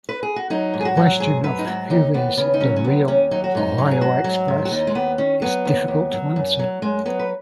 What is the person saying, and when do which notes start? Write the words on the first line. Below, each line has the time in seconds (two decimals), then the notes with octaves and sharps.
The question of who is the "real" Ohio Express is difficult to answer.
0.09 B4
0.23 G#4
0.36 F#4
0.50 F#3 D#4
0.74 G#2
0.81 G#4
0.85 F#4
0.97 F#3
1.20 G#2 G#4
1.44 F#3 B4
1.59 D#4
1.67 G#2 F#4
1.90 D#2 D#4
2.14 D#2 B3
2.37 C#3 B3
2.54 D#4
2.60 F#3 C#4
2.76 C#4
2.84 D#2 B3
3.08 D#2 C#4
3.31 F#3 D#4
3.44 F#4
3.55 G#2 D#4
3.78 F#3
3.91 G#4
4.01 G#2 F#4
4.24 F#3
4.48 G#2
4.65 F#4
4.72 D#2 D#4
4.87 G#3
4.95 D#2 B3
5.18 D#3 C#4
5.42 F#3 B3
5.65 D#2
5.88 D#2
6.12 F#3
6.36 F#2
6.59 F#3
6.82 F#2 G#3
7.06 F#3 B3
7.19 B4